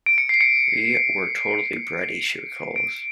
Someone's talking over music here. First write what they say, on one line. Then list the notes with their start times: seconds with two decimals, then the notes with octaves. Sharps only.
"We were totally bratty," she recalls.
0.06 D7
0.18 C#7
0.29 C7
0.41 C#7
2.76 D7